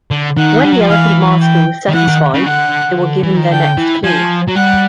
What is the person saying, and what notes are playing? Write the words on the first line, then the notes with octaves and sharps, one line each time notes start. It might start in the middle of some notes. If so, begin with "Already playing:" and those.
When the elephant master was satisfied, they were given their next clue.
D3
D#3 F#5
G3
F#3
F3
E3 F5
G5
D#3
E3 F#5
D#3
C#3
D3 F#5
E3
D#3
D3 G5
E3
F3 G#5
F#3
G3 F#5